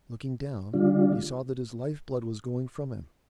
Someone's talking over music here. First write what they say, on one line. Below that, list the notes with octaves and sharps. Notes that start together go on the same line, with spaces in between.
Looking down, he saw that his life-blood was going from him.
D3 G3 D4 F4